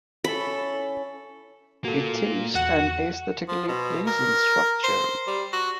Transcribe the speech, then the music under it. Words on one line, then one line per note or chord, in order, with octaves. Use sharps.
It is an aesthetically pleasing structure.
C#4 E4 A4 B5
A#3 F4 F#4 A4
E2 F#4 F#5
F3
B2
A#4
C5
G3
F#4